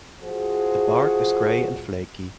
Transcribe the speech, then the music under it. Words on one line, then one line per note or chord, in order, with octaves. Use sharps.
The bark is grey and flaky.
F3 F#4 G#4 C5